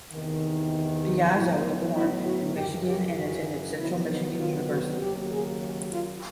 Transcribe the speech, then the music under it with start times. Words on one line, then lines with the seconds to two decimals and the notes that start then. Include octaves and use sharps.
Piazza was born in Michigan and attended Central Michigan University.
0.12 E2 C3 D#3
1.04 G4
1.33 A2 F#3 B3 E4
1.65 D#4
1.95 E4
2.25 F#4
2.56 F#2 C#3 E3 G4
2.86 G4
3.17 F#4
3.78 C3 D#3 F#3 B3 E4
4.09 D#4
4.39 F4
4.69 F#4
5.00 D#2 C#3 F#3 A#3 G4
5.31 G#4
5.92 F4